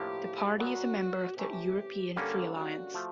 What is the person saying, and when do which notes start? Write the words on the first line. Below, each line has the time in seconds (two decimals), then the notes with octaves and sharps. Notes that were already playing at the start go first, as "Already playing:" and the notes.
The party is a member of the European Free Alliance.
Already playing: A2 F3 A#3 D4 G4
0.59 A#2 F#3 B3 F#4
1.37 C3 E3 A3 C#4 G4
2.15 D3 G3 A#3 C#4 A4
2.55 F#4
2.94 F3 A3